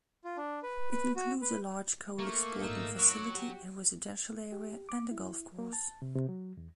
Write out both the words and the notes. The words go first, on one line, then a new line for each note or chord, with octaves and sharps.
It includes a large coal exporting facility, a residential area, and a golf course.
F4
D4
B4
B4
F#4
B4
A3 A#3 C#6
G#1 A#2 D#4 E6
F#3 C#6 D6 E6 F#6
F#4 G4
G4
D6
E4
A#3
A5
C3
C3
F#3
E2